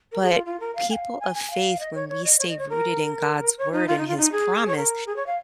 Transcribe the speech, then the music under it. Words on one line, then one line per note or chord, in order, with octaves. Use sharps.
But people of faith, when we stay rooted in God's word and His promise,
A#4
G#4
F4
F4
A#4
F5
G#5
F5
G#5
G#5
F5
D#5
C#5
C#5
D#5
C#5
D#5
C#5
A#4
C#5
D#4
F4
D#4
F4
D#4
G#4
C#5
A#4
G#4
C#5
F5